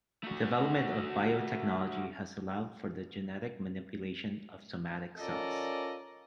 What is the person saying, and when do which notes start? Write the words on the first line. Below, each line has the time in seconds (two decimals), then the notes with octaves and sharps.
Development of biotechnology has allowed for the genetic manipulation of somatic cells.
0.24 A3 F#4
5.18 C#4 F4 A4 A#4 D5 D#5